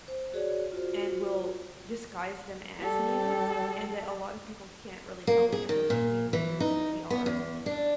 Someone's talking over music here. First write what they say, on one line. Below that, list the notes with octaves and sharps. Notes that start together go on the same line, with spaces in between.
and will disguise them as news, and that a lot of people can't really tell the difference between news and PR
C5
F#4 G#4 C#5 D5
F4 F#4 C5
G3 A4
A#3
G#4
D#3
A#2
E3
D#4
B3
E2
D4